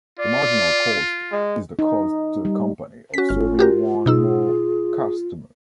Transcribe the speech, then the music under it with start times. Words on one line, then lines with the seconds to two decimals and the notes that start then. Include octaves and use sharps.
The marginal cost is the cost to the company of serving one more customer.
0.19 F4 D5
1.32 G#3
1.79 D#4
2.45 G3
3.14 C#4 F#4 B6
3.29 G1 F4 F6
3.59 F#4 G4 A#4
4.06 B2 D#4 G#4 E6